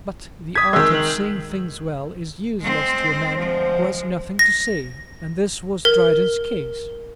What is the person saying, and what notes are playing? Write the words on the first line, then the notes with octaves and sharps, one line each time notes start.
But the art of saying things well is useless to a man who has nothing to say; and this was Dryden's case.
D#6 G#6 B6
D#3 G#3 E6
F#7
G#3 C4
D2 F3 G#3 C5
A#6
A#4